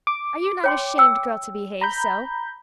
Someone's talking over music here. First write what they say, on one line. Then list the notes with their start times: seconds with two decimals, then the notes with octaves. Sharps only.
Are you not ashamed, girl, to behave so?'
0.07 D6
0.64 C#5 G5 C6
0.98 G5 E6
1.81 A#5 B5 G6